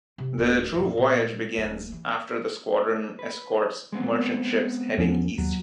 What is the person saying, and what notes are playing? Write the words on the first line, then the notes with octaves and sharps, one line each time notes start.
The true voyage begins, after the squadron escorts merchant ships heading east.
C3
D1 D4
F2 A2
A#2
D#1 A#3
E3
B4
G#3 B3 C4
E2 F3 C#4
D#2 F#3